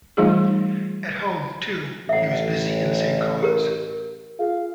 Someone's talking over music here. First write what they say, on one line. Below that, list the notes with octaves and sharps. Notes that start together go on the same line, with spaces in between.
At home, too, he was busy in the same cause.
E3 G3 A3 D#4 F4 G#4
A1 E5 F#5
G4 A#4
F4 G#4 F5